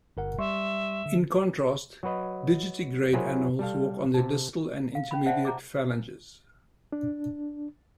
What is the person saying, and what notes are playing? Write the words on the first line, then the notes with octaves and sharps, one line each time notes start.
In contrast, digitigrade animals walk on their distal and intermediate phalanges.
G1 A#4 F#5
G3 E5 C6 C#6
D3
F#3 F#4 B4 D#5
F#3 E4 G#4 A#4 C5
G3 A4 F5
C3 A5
F5
C#4 B5
C5 D5 E5 F#5 A5
A#5 D6
D4